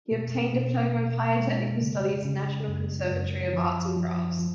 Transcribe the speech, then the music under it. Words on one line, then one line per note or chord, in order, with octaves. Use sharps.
He obtained diploma of Higher Technical Studies National Conservatory of Arts and Crafts.
B2
B2
B2
G#3
C#3
C#3
F#2
F#2
F3
F3
F3